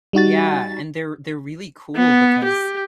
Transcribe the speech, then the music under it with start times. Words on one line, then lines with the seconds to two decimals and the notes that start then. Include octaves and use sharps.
Yeah, and they're they're really cool because
0.13 G3 D#4 F#4 A6
1.95 B3
2.44 G4